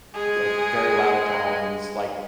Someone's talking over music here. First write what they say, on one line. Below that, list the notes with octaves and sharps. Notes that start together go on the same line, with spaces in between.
b like very loud Italians, like
G#3 G#4